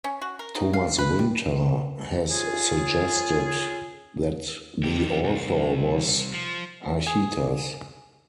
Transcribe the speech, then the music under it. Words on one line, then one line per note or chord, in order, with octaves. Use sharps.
Thomas Winter has suggested that the author was Archytas.
C#4
F#4
A#4
D#4
F5
B4
G3
C#4 F4 G#4
F2 G4
C2
F3
G#4